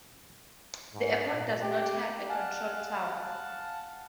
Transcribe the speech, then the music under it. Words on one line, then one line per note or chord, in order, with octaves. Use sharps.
The airport does not have a control tower.
G#2
A#2
G4
F5 F#5 G#5 A5